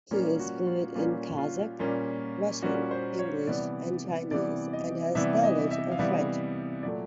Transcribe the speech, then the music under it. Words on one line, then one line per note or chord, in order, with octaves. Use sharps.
He is fluent in Kazakh, Russian, English and Chinese and has knowledge of French.
A#2 G3 A#3 C#4 F4
F#4
F4
A#2 G3 A#3 C#4 F4
F4
A#2 G3 A#3 C#4
A#2 G3 A#3 C#4 F#4
C5
C#5
C3 E3 G3 B3 D5
C3 E3 G3 B3 D5
D#5
C3 E3 G3 B3 E5
D#5
E5
F5
C3 E3 G3 B3 E5
A#2 F#3 A3 D5